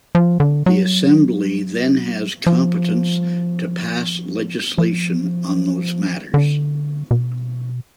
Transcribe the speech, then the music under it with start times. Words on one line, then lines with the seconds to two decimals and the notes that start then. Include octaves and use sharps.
The Assembly then has competence to pass legislation on those Matters.
0.15 F3
0.40 D3
0.66 F#3
2.47 F3
4.78 F3
6.34 D3
7.11 B2